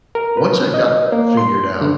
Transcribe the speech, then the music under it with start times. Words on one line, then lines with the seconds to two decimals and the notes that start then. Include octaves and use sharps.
once I got that figured out
0.15 A#4
0.37 B4
0.74 D#5
1.12 A#3
1.37 C6
1.81 D3